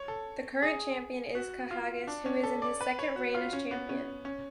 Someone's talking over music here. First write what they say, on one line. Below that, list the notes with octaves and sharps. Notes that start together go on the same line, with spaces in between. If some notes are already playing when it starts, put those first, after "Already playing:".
The current champion is Kahagas, who is in his second reign as champion.
Already playing: C#5
A4
G#4
F#4
F4
D4
C#4
A4
D5
B4
C#5
F#4
F4
C#4
B3
C#4
C#4